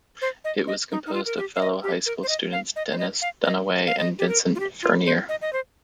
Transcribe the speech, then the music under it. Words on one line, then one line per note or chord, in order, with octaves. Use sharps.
It was composed of fellow high school students Dennis Dunaway and Vincent Furnier.
C5
D#5
D#5
D#4
D#4
F4
A#4
G4
F5
D#5
G4
A#4
C5
D#5
F5
D#5
C5
D#5
F5
D#5
F5
D#5
G4
A#4
F4
G4
F4
C5
D#5
D#5
C5